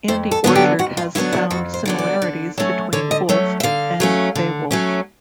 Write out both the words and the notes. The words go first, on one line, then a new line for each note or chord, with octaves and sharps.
Andy Orchard has found similarities between Wulf and "Beowulf".
F2 C5
A4
D3 F#3 B3 D4
G4
F2 F#4
F4
D3 F#3 B3 D4 E4
E4
F2 F#4
C5
D3 F#3 B3 D4
D5
D3
F#3 A3 C#4
D3 C#5
D#5
F#3 A3 C#4
E5
D3 F5
F#3 A3 C#4
D3
F#3 A3 C#4